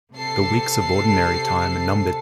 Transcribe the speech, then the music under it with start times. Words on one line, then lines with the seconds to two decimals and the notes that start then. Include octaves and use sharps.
The weeks of Ordinary Time are numbered.
0.13 C3 A4 C7